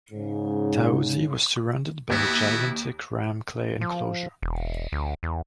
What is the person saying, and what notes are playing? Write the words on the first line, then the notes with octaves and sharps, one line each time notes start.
Taosi was surrounded by a gigantic rammed-clay enclosure.
G#2 C#3
D#2 B3 E4 F#4
F3
E1
D2
E2